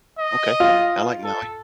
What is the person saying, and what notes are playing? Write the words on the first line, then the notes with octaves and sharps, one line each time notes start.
Okay. I like Maui.
D#5
F4
A4